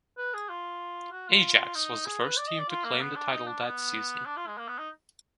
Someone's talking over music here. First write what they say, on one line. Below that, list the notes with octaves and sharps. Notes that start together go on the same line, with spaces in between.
Ajax was the first team to claim the title that season.
B4
G#4
F4
F#4
F4
D#4
G#4
B4
D5
D#5
D5
F4
A#3
B3
D4
D#4
D4
B3
D4
F4
G#3
A#3
B3
D#4